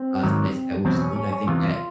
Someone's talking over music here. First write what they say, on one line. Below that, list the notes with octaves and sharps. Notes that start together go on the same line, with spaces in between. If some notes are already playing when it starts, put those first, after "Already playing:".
uh, sites that we've seen, I think that,
Already playing: C4
G#2 D#3 F#3
E2 B2 F#3 C4
C#4
C#4
C#4
E2 C3 E3 F4